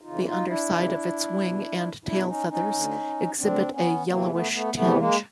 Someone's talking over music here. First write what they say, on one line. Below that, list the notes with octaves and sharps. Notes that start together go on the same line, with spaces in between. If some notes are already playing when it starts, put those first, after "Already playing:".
The underside of its wing and tail feathers exhibit a yellowish tinge.
F2 C#3 E3 D#4 F4
D#4 F4
D4 E4
F2 C#3 E3
E2 B2
E2 B2 D4 E4
C#4 D#4
C#4 D#4
D2 D3
D2 D3 C4 D4
B3 C#4
E2 C3 E3 A#3 C4
A3 B3
A3 B3
E2 C3 E3 A3 B3
G#3 A#3